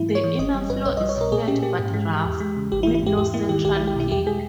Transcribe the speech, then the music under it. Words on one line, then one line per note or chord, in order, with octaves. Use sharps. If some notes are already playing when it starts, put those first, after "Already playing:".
The inner floor is flat but rough, with no central peak.
Already playing: G#2 E3 E4
A#3
C#5
E3
G1 D#5
G3
G2 B4
B1 C#5
D#5
G3
C#5
B2 A#4
A#2 G#4
C#4 G4
A#3 G4
G#2
G#3
E3
E2
G#3
C#3
G#1 G4
E4
E3
E4
G#2 G4
E2 G4
A#3 E4
D#3 G4
B1 G4
E4
G#3
G4
B2 E4
E2 G4
G#3 G#4